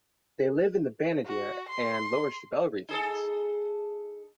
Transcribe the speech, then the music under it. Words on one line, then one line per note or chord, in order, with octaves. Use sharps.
They live in the Banadir and Lower Shabelle regions.
F#4
C6
D#4 G#4 A4